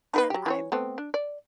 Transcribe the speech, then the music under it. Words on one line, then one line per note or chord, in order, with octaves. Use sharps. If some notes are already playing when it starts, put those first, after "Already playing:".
And I'm
D#4 A#4 B4
F#3 G4
E3 G#4 C#5
A3 B3 C4
D4
D5